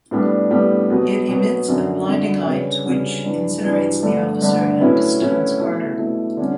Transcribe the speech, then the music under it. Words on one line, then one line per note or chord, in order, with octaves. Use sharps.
It emits a blinding light which incinerates the officer and stuns Carter.
A2 G3 B3 D4 G4
A2 G3 B3 D4 G4
B2 F#3 B3
B2 F#3 B3
F#2 D3 F#3
F#2 D3 F#3
C#3 G3 C#4 F#4 B4
C#3 G3 C#4 F#4 B4
G2 E3 G3
G2 E3 G3
G2 D3 A3
G2 D3 A3
A2 F#3 C#4 E4 B4
A2 F#3 C#4 E4 B4
B2 A3 E4
B2 A3 E4
D3 G3 C#4